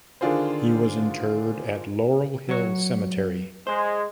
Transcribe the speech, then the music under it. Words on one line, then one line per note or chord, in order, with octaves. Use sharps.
He was interred at Laurel Hill Cemetery.
D3 D#3 D4 F4 G#4 C5
F#3 C#5
G#3 C5